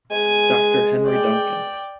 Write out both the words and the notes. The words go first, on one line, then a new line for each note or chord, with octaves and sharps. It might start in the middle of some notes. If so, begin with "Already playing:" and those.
Doctor Henry Duncan.
G#3 G#5
D5 G5